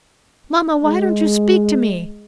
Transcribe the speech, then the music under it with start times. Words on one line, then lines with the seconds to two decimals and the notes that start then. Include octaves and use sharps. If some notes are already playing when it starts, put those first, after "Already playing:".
Mamma, why don't you speak to me?
0.84 G#3